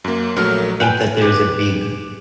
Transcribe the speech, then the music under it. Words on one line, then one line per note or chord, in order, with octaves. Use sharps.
Think that there's a big
F#2 A#3
A#1 F#3 A3 A#4
B4 G5 G#5 G6
G4 B4